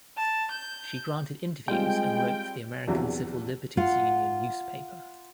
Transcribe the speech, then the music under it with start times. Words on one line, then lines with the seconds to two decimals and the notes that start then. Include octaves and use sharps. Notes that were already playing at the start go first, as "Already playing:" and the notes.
She granted interviews and wrote for the American Civil Liberties Union newspaper.
0.18 A5
0.52 G6
1.68 G3 G#3 C4 F4 G5
2.87 A#1 E2 C3 E3 F#3
3.77 F4 F5 F#5